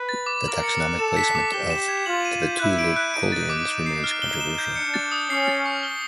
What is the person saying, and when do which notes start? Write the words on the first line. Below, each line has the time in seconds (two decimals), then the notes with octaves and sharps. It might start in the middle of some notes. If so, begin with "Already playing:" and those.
The taxonomic placement of the Vetulicolians remains controversial.
Already playing: B4
0.09 A6
0.26 D6
0.44 A#4 F#7
0.63 C#7
0.80 F#6
0.98 A4 E7
1.17 B6
1.35 D6
1.52 G4 G7
1.70 E7
1.88 G#6
2.06 F4 F#7
2.25 D#7
2.42 G6
2.60 E4 F#6
2.79 D7
2.96 F#6
3.14 D#4 D7
3.32 A6
3.50 D6
3.69 E7
3.86 C7
4.04 F6
4.22 G7
4.40 E7
4.58 G6
4.75 D4 C#7
4.94 A6
5.12 D#6
5.30 C#4 C7
5.48 A6
5.66 C#6
5.83 G7